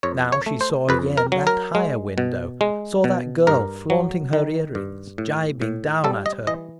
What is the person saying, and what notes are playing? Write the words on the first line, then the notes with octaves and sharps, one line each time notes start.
Now she saw again that higher window, saw that girl flaunting her ear-rings, gibing down at her.
F2 C#5
C#5
A3
C5
F2 B4
A#4
F#3
A#4
G#3
B2
G#3
B2
G2 A#4
F#3
D#3
G2
A2
A2
G3 A4
D#5
E3 D#5